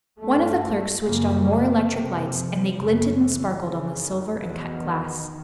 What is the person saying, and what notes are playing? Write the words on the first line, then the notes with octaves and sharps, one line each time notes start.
One of the clerks switched on more electric lights, and they glinted and sparkled on the silver and cut glass.
G2 A3
F#2 C#3 A#3
A#3
F2 C3
F3
F#2 C#3
E3
F2 C#3
D#3
E2 B2 E3
D#3